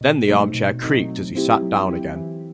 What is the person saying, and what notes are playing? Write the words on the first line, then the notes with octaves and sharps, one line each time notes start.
Then the armchair creaked as he sat down again.
B2
F#3 A3 C4 D#4
B2
F#3 A3 C4 D#4
F#3
C4 E4 G4
F#3
C4 E4 G4
E3